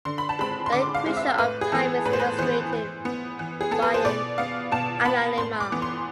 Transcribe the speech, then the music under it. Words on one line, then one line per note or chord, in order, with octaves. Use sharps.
The equation of time is illustrated by an analemma.
D3 C6
B5
A5
G#3 C4 B5
C6
D3 D6
F5
G#3 C4
E5
A2 B4
G#4
E3 B3 A4
A2 B4
C5
B4
E3 B3 C5
E3
B3
E3
G#4
B3 A4
B4
C5
B2 D5
B3 F5
B2 A5
B3 B5
A2 C6
D6
E3 B3
C6